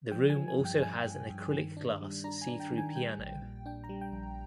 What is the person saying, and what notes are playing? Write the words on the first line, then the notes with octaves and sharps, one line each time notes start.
The room also has an acrylic glass see-through piano.
F3 G5
G#5
F3
G#5
G2
G5
G2 G#5
G2
G2
D#3
D4
G3
D4 A#5
G#5
D4
G5
D#3
G#5
G3 G5
A#1
A#2
D4 G5
A#5
G3
G5
A#1